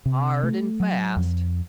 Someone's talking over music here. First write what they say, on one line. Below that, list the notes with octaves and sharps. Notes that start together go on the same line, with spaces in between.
"Hard and fast."
C3
A3
F#3
F2